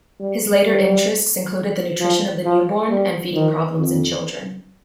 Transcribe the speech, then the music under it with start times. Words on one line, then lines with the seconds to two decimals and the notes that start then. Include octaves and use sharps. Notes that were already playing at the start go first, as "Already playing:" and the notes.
His later interests included the nutrition of the newborn and feeding problems in children.
0.20 G3
0.65 G3
2.00 F3
2.45 F3
2.90 G3
3.35 D#3
3.79 F2